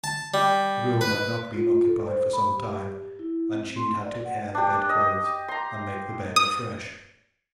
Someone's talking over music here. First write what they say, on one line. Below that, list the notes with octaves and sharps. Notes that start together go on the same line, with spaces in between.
The room had not been occupied for some time, and she'd had to air the bed-clothes and make the bed afresh.
A5
G3
B4
F4
F4
A4
C5
B5
G4
E4
C4
C6
D5
F#5
D4 G4
D#5
A#5 C6
D#6